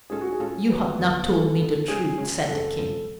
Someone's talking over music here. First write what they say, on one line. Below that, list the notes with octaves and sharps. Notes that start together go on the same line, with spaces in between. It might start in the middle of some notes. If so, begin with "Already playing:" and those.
"You have not told me the truth," said the King.
A2 G#3 C#4 F4 G#4 A4
F#4
G#4
A2 G#3 C#4 F4 A4
F2 D3 F#3 B3 B4
F2 D3 F#3 B3
G#2 F3 B3 A4
G#2 F3 B3
C#3 G#3 C#4 G#4
C#3 G#3 C#4
F2 C#3 F3 A4
F2 C#3 F3